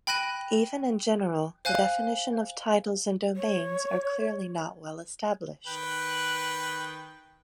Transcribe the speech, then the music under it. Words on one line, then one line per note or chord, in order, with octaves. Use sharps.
Even in general, the definition of titles and domains are clearly not well-established.
G5 B5 F#6 A#6 D#7
C5 F5 G#5 F#6
C#5
D#3 B4 G5 F#6